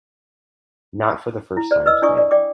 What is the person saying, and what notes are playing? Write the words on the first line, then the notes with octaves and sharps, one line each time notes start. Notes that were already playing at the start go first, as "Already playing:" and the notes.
Not for the first time today.
E4
C5 D5
B4 D#5 E6
D4 E4 D5 G#5 C#6 D#6
D5
D5 G5 D6